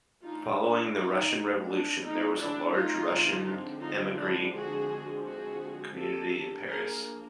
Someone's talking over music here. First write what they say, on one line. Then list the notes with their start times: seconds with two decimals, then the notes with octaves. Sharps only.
Following the Russian Revolution there was a large Russian emigre community in Paris.
0.24 E3 A3 D4 D#4 F4
0.59 D4 E4
0.95 D#4
1.66 D4
2.03 D#4
2.38 D4 E4
2.73 D#4 F4
3.09 D3 F3 G#3 C4
3.81 D#4 F4
4.17 D4 E4
4.53 F#4 G#4
5.24 F#4 G#4
5.95 F3 A#3 D4 G4 A4
6.68 G#4 A#4